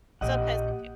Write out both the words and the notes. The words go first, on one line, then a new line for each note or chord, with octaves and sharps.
Sometimes they do.
A#1 D4 G4 D#5 F#5